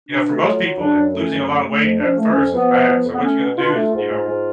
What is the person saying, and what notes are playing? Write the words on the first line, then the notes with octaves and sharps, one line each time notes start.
you know, for most people, losing a lotta weight at first is bad. So what you're gonna do is, you know
B2 D4
A3
F#4
F#3 F4
F#3
F#2 D4
F#2
A3 C#4
F#2
A3
A3
F2
F3 D4
C#4
A3
C#4
F2
F3 B3
F3
F3
F2
B3
A3 C#4
B2
B2 F4
D4
A3
F4
G#2
G#2
G#2